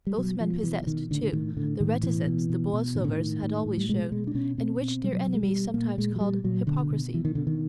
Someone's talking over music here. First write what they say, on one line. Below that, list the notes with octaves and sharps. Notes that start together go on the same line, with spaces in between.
Both men possessed, too, the reticence the Borlsovers had always shown, and which their enemies sometimes called hypocrisy.
G3
B2 F#3
B2 F3
B2 E3
E3
B2 D#3
A2 D3
D3
A2 D#3
A2 D3
A2 D#3
B2 E3
B2
B2
B2
A2 D#3
D3
D#3
A2
A2
A2
G3
B2 G#3
B2 G#3
D4
B2 C#4
B2 C4
B2 C4
B2 G3
F#3
B2
G#3
G3
B2
A#2 A#3
A#2 G#3
F#3
A#2 G3
A#2 F#3
B2 D3
B2
B2 E3
D#3
B2 D3
D#3